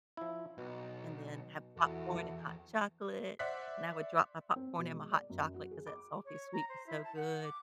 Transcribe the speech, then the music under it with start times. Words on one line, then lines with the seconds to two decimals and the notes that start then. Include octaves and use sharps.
and then have popcorn and hot chocolate. And I would drop my popcorn in my hot chocolate because that salty sweet was so good.
0.17 F3 E4
0.58 B1 B2
1.77 E2 E4 F#4 A4
3.39 C5 D5 E5 F#5 F#6 B6
4.56 C4
4.78 B2
4.93 G#3
5.11 D5
5.30 F#2
5.54 F#4
5.71 G#4
5.87 D6
6.25 C#5
6.53 A#5
6.69 C5
6.87 E4
7.04 A5
7.16 F#5
7.44 D6